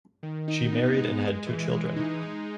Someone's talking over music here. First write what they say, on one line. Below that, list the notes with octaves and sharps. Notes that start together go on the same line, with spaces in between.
She married and had two children.
D#3
D#4
B3
G#3
G#3
E3
G#3
D#4
G#3